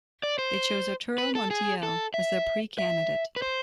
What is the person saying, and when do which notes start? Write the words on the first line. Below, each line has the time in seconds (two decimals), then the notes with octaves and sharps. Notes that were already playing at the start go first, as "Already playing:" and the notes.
They chose Arturo Montiel as their pre-candidate.
0.23 D5
0.39 C5
1.18 B4
1.35 A4
1.51 G#4
1.83 A4
2.14 E5
2.78 E5
3.36 B4
3.42 C5